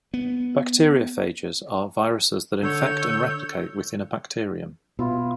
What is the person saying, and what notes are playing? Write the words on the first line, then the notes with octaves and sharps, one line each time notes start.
Bacteriophages are viruses that infect and replicate within a bacterium.
B3
D3 C#5 E6 G6
B2 E4 F4